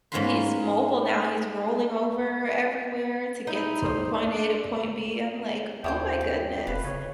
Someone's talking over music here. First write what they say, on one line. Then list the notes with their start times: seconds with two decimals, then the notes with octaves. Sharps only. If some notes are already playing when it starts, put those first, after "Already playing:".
he's mobile now. He's rolling over everywhere to get to point A to point B. I'm like, oh my goodness.
0.12 G#2 A#3 C#4 F4 B5 C6
3.47 D#4 E4
3.81 C5
4.12 D4
5.84 D#2 F#4 G#4 C5 G5
6.21 G2
6.67 F1 F4 B4
6.84 C#3 C#5